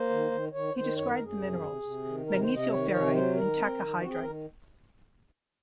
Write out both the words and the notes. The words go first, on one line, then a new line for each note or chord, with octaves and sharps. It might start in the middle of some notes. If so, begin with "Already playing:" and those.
He described the minerals, magnesioferrite and tachyhydrite.
Already playing: A#3 C5
D#3
D#3
D#3 C#5
D#3 C5
F#2 C#5
A#4
F#2
G#4
C3
C3
C3
D#3
C3 A#4
C5
C3
D#5
D#3 C#5
C3 C#5
F#3 C5
D#3 A#4
C4
D#3
C4 F#4
G#4
D#3 A#4